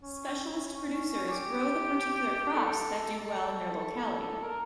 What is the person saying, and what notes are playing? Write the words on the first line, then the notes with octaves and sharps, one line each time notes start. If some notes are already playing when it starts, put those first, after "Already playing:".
Specialist producers grow the particular crops that do well in their locality.
C#4
G4
A4
A4
A#4